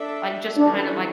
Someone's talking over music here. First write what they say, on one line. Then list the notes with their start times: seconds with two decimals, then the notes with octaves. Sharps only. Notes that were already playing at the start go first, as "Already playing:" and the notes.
Like, just kind of, like
Already playing: D4 A4 E5
0.56 E3 G3 C#4 D4 F#4 A4